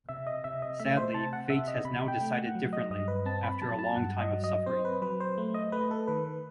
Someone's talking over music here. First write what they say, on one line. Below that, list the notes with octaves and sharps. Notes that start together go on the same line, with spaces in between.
Sadly fate has now decided differently, after a long time of suffering.
C3 E5
D#5
C3 E5
D#5
A3 E5
C5
C3 A5
F#5
C3 E5
D#5
C3 B5
G5
A3
F#5
F#3
D#5
G2 D#5
B4
C4 A5
B5
F#3 A5
A5
G2 F#5
D#5
F#3
D#5
C4 C5
B4
F#3 B4
C5
A3
D#5
A3 B4
A4
D#3 B4